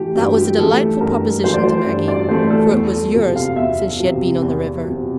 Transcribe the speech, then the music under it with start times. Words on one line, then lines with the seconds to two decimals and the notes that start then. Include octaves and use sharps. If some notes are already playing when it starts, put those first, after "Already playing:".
That was a delightful proposition to Maggie, for it was years since she had been on the river.
Already playing: E3 A3 G4
0.15 G2 G4
0.37 G4
0.58 E3 A3 A4
1.01 G2 A#4
1.44 E3 A3 C5
1.54 D5
1.64 C5
1.86 G2
2.08 D5
2.28 E3 A3 C5
2.50 A4
2.72 E2
2.93 A4
3.15 C3 F3
3.36 F5
3.56 E2 E5
4.00 C3 F3
4.42 E2
4.85 C3 F3